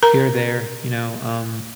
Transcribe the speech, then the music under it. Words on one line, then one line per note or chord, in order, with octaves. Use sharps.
here or there, you know, um,
A#4 A#5